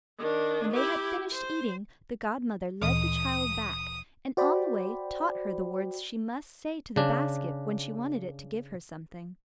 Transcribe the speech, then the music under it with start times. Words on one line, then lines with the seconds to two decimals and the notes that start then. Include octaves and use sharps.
When they had finished eating, the godmother led the child back, and on the way taught her the words she must say to the basket when she wanted it to give her something.
0.19 D#3 D4
0.72 E4 G4
1.33 C5
2.82 D2 A#2 E3 D#6
4.37 F#4 C5 D5 G5 B5
6.96 C#3 D4